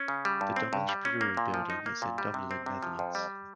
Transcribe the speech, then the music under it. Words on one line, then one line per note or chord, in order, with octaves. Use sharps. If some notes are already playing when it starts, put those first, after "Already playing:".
The Dommelsch Brewery building is in Dommelen, Netherlands.
Already playing: C#4
C#3
G3
G2
C4
G2
G3
C#4
A#3
A#2
F3
D#4
A#3
A#2
G3
C3
C4
C3
F3
F2
G3